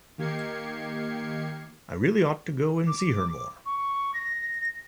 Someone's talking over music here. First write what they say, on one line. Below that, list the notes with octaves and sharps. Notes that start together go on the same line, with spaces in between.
I really ought to go and see her more.
D#3 A#3 G4 G#6 C7 C#7
D6
C#6
A#6